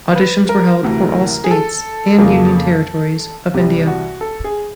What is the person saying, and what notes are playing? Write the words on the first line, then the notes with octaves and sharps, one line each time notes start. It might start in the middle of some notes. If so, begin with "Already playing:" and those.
Auditions were held for all states and union territories of India.
B4
A#4
D2 C3 E3
G#4
A4
F2 C#3 F3 A#3
C2 C3 E3 G3 G4
F#4
A4
G#4